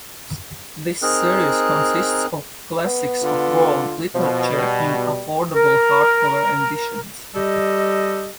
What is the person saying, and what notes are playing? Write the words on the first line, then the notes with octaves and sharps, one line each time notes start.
This series consists of classics of world literature in affordable hardcover editions.
C4 D#4 G#4 A#4 F#6
B3
D3 F4
B2 F3
G3
A#4
G3 G4 A4 D#5